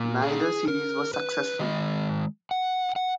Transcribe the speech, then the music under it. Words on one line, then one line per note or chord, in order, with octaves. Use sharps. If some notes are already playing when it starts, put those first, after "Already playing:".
Neither series was successful.
Already playing: A#2 A#3
G#4
A#4
B4
D#3 G#3 D#5
F#5
F#5